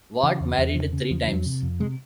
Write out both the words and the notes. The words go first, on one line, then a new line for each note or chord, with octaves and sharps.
Ward married three times.
C#3 E3
E2
E2
C#3 F3
C#3
E2 F3
F2 F#3
C3
F2
C3 G#3